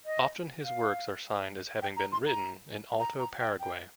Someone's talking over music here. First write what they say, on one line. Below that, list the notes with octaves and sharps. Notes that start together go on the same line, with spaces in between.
Often his works are signed as having been written in Alto Paraguay.
D#5
F5
G5
A#5
C6
A#5
A#5
A#5
G5
G5